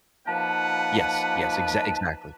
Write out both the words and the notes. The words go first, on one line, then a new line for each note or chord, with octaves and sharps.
Yes, yes. Exact exactly.
F3 A#3 D#4 B4 F#5 A5